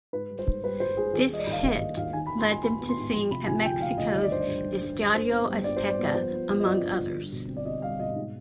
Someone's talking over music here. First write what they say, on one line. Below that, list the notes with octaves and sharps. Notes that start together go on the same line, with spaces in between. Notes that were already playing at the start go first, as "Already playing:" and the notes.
This hit led them to sing at Mexico's Estadio Azteca, among others.
G#2 B4
G3
C5
G#2
G3 B4
G3 C5
G#2 G#4
D#2 G#4
G3 D#5
D5
D#2 F5
D#2 D#5
D#2 D#5
D#2 F5
D#3 G#5
B5
D#3
C6
G#2 G#5
B3 B5
B3
C6
G#2
F3 C6
C3 B5
F3 G#5
D2 G5
F3 F5
D2 D#5
D#3 D#5
D5
G2 C5
D5
G2
G2
G2
G2
G2 C5
B3
G3
G2 D5
C5
G3
D5
B3
D5
F3 C5
F3
F3
D#5
G2 D5
G2
D3
G3
B2
C4
D5
C4 D#5
G3 F5
B2 D#5
G#2